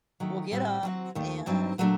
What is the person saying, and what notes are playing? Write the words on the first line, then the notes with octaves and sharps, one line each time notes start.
will get up and
D#3 F#3 A3
A2 G3 C4 F#4
F#3 C4 F#4
D#2 D#3 A3
G2 F#3 C4 D#4
A#2 F#3 A3 D4